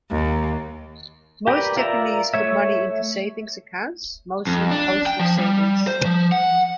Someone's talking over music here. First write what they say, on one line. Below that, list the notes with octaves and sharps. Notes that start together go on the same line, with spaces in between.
Most Japanese put money into savings accounts, mostly postal savings.
D#2
G4 A#4 B4 D5
F4 A#4 D5 E5 A#5
A3 C#5 E5
F2
D4
G5
F3
G3
C5
F3
F#5